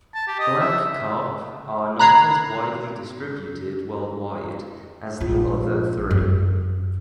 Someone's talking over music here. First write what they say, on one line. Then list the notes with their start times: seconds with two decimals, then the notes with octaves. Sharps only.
Black carp are not as widely distributed worldwide as the other three.
0.14 A5
0.27 G4
0.39 D#5
0.59 E5
1.99 A#5 B5 F#6 G#6 C7
5.20 A#1 F4
6.11 F#2